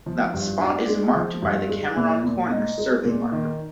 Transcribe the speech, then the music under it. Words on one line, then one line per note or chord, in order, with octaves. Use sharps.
That spot is marked by the Cameron Corner Survey Marker.
F3
G2
D4
G#3
F3
G2
G#3
A#2
A#2
D#4
G#3
A#2
D#3